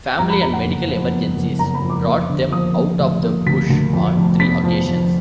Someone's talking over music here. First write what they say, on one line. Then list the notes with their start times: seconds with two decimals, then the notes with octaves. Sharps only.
Family and medical emergencies brought them out of the bush on three occasions.
0.18 F2 A#5
0.30 B5
0.41 F2 A#5
0.53 F#5
0.65 F#1
0.88 F3
1.12 B3
1.35 F#1
1.59 F#1 A#5
1.75 B5
1.82 F2
1.90 D6
2.06 A#3
2.29 D3
2.52 F3 D#6
2.76 A#3
2.99 D2
3.23 A#3
3.46 D2 B6
3.70 D2
3.93 F2
4.16 F1
4.40 B3 B6
4.64 F3
4.87 F3